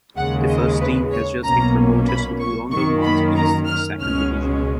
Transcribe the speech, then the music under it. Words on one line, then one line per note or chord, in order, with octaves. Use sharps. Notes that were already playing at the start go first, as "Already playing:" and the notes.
The First Team has just been promoted to the London North East Second Division.
D#2 C#3 G#3 F#5
D#5
B4
C#5
B1 B2 A#3 C#4 A#5
B5
C#6
F#2 D#3 A#3 C#6
B5
A#5
F6
C#2 B2 G#3 C#4 F6